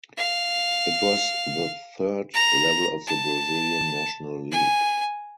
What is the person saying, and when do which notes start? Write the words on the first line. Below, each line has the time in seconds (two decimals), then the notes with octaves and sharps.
It was the third level of the Brazilian National League.
0.17 F5
2.34 A#5
3.07 A5
4.52 G#5